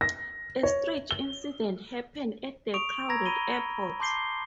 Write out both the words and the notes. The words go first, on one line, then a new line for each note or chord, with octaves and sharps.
A strange incident happened at the crowded airport.
A#6
C#5
G7
C#6 D#6 D7 F7
A#5 B5 E6 G#6 A#6
B5 D#7 G7
A5 C6 D6 G6 C7 G7